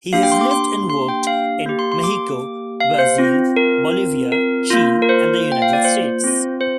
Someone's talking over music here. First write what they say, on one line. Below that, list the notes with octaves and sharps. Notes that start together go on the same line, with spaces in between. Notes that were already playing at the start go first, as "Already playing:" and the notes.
He has lived and worked in Mexico, Brazil, Bolivia, Chile and the United States.
A#3 D4 G4 F5
G5
C6
D6
C6
C6
G5
F5
A#3 G4
C6
C6
D6
F5
C5
C4 F4
A#4
A#4
A#3 F4
A#4
C5
G5
F5
D5
C5
C4 F4
C5